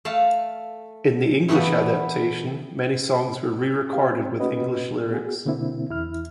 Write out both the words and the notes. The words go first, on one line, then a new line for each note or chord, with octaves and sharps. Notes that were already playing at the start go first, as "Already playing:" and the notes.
In the English adaptation, many songs were re-recorded with English lyrics.
A3 F5 A5
E3 A3 B3 F#4 B4
C4 G4 F5
C4
A#3 C#4 F#4 B4 D#5
B3 F#4 G#4
B2 D3 A#3 C4 E4
E2 E4 F6